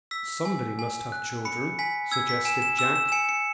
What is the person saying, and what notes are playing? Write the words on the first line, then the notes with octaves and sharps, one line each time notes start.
"Somebody must have children," suggested Jack.
E6 B6
G#5
G#5
F#6
B5 C#7
G#5 B6
E6 G#6
B6
G#5 E7
E7
E6 E7
E7
E7
G#5 C#7
C#7